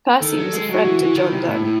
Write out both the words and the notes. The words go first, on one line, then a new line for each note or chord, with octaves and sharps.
Percy was a friend to John Donne.
D#3 A4
F#3
G#3
F#3 F#4
E3
E3
D#3 E4
C3
A2
A2